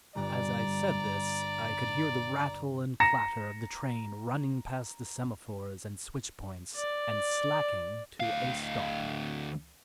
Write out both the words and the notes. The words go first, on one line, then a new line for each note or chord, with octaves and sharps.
As I said this I could hear the rattle and clatter of the train running past the semaphores and switch points and slacking to a stop.
G1 G2 D5 A#5
A#5 A#6 C#7 E7
D5
D2 F5